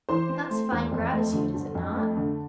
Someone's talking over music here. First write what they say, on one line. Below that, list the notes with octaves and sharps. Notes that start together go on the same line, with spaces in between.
That's fine gratitude, is it not?'
E3 C5 C6
C4
A3
E2
F2
A3
D3
G1
F2
A3
D3